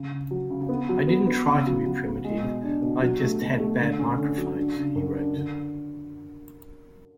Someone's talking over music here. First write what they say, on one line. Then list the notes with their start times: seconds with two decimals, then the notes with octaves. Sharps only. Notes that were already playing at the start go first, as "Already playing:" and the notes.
"I didn't try to be primitive, I just had bad microphones", he wrote.
Already playing: C#3
0.11 C#3
0.31 F#3
0.50 C#3
0.69 B3
0.89 F#3
1.08 B3
1.27 B3
1.47 C#3
1.67 F#3
1.85 F#3
2.05 B3
2.24 G#3
2.44 B2
2.63 D4
2.82 B2
3.02 F#3
3.21 A3
3.41 B2
3.60 A3
3.79 D3
3.99 C#4
4.18 D3
4.37 F#3
4.57 D4
4.76 C#3
4.95 F#2
5.15 D4
5.34 D3